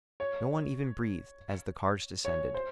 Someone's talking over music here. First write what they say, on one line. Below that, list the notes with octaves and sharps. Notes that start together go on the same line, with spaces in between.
No one even breathed as the cards descended.
C#5
C#5
C5